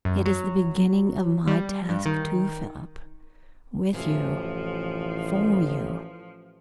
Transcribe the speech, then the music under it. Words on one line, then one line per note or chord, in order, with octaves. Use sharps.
It is the beginning of my task, too, Philip, with you--for you.
F#2
F#3
G3
G2
D#3
A1 F#2 C3 E3 F3